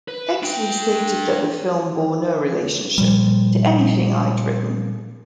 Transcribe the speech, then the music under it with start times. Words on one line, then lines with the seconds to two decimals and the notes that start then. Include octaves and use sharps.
Exley stated that the film bore no relationship to anything I'd written.
0.08 B4
0.43 D4 G5
2.98 A#2 F3 G3